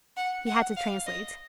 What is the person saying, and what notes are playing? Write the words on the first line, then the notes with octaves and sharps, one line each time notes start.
He had to translate.
F#5
F#5
F5
D#5